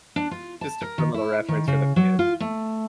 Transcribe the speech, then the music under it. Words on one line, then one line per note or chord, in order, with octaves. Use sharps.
Just a fun little reference for the fans.
D4
F4
A5
A#4
D#3
E4
D#3
C#3
F#3
F4
A3